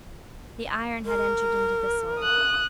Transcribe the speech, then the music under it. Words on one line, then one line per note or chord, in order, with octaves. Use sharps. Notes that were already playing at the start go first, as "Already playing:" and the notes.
The iron had entered into the soul.
A#4
D#6 F#6